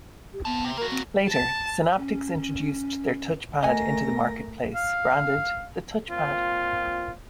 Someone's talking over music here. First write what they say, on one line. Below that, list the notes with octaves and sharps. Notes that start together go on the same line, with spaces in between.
Later, Synaptics introduced their touchpad into the marketplace, branded the TouchPad.
G4
B3 C4 A5
C3
A#3 F#4 A#4
C4
A5
C#4
A3 A#4 D#5 F#5 G#5 A#6
F5
A#2 C4 F4